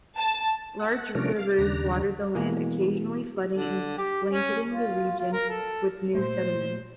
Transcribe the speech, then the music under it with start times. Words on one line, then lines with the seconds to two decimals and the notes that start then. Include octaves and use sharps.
Large rivers watered the land, occasionally flooding and blanketing the region with new sediment.
0.16 A5
0.79 F#5
1.15 C3 F3 A3 C#4 D4 A#4
1.36 F5
1.58 D#2 C#3 G3 D4 A#5
2.35 B2 E3 G#3 A#3
3.55 D3
3.98 G4
4.32 C#4
4.72 F4
5.18 F4
5.33 A#4
5.49 A4
6.15 A#2 A3 C5